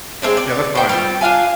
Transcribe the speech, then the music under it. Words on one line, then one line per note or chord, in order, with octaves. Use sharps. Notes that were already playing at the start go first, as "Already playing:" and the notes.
Yeah, that's nice.
G#3 A#3 C4 D4
D5
C5 G5
G3 C4 E4 F4
D4 F4 F5 G#5